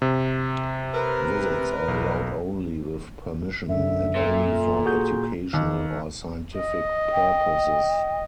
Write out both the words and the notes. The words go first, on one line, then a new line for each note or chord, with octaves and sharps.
Visits are allowed only with permission, and only for educational or scientific purposes.
C3
A#4 B4
B1
F#2 D3 E5
A#2 A4
F#4 G#4 G6
D#2
D#5
G5